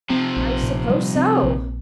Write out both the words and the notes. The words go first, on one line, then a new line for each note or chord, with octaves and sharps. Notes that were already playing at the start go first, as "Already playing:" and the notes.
'I suppose so.
C3 F3 C4
A#1
A#2
G3
C4
A#1